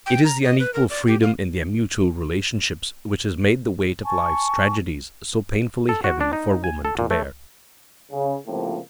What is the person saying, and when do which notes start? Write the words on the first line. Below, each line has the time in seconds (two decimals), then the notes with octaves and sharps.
It is the unequal freedom in their mutual relationships which has made the weight of life's tragedies so painfully heavy for woman to bear.
0.06 G5
0.24 A#5
0.43 D#5
0.59 B4
0.74 A#4
0.90 D5
1.07 G4
1.22 F5
4.05 G#5 A5 C#6
5.89 A4
6.04 F#4
6.21 D4
6.33 D#4
6.64 G#5
6.85 A4
6.99 A#2
7.11 A3
8.12 C#3
8.47 C#2 A2 C3 F3 A#3